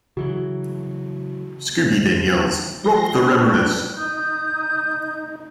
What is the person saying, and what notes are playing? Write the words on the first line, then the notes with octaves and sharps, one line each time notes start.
Scooby then yells, Rop the rameras!
C#3 E3 F#3 F#4
F3 C6 A#6
C4 D4 B4
D#4 D#6 G6